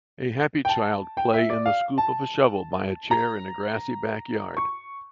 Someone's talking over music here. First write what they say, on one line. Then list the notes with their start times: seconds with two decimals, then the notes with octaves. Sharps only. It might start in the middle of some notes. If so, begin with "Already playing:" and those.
A happy child play in the scoop of a shovel by a chair in a grassy backyard.
0.65 G5
0.69 A5
1.17 G5
1.34 E5
1.50 D5
1.66 F5
1.98 A5
3.11 A#5
4.57 C#6